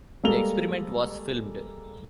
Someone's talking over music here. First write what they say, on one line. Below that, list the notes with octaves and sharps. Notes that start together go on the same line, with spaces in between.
The experiment was filmed.
G3 G#3 A#3 A4 F7 G7